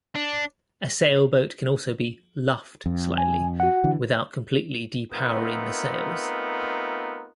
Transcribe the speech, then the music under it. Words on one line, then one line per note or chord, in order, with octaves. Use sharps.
A sailboat can also be "luffed" slightly without completely de-powering the sails.
D4
F2
G#5
F#4 F#5
D3 E3
A3 B3 C4 D#4 F4 A#4